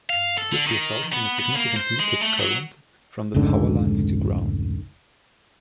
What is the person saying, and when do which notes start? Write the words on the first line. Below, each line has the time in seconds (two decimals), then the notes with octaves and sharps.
This results in a significant leakage current from the power lines to ground.
0.10 F5
0.38 A4
0.52 D3
0.67 D#3
1.13 B3
1.39 B3
1.56 A#3
1.76 C5
2.00 G#3
2.22 A3
2.40 F#3
3.34 F1 C#2 G#2 D3